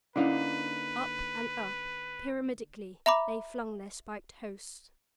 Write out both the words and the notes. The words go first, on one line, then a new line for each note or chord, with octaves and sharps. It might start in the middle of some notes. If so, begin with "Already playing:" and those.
Up and up, pyramidically, they flung their spiked hosts.
D3 A#3 C#4 D#4 E4 B4 D5
E5 A#5 B5 D6